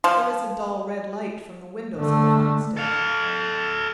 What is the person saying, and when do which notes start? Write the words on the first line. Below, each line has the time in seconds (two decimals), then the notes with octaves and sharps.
There is a dull red light from the windows of the farmstead.
0.04 F3
1.96 D3 A3
2.77 A4 F5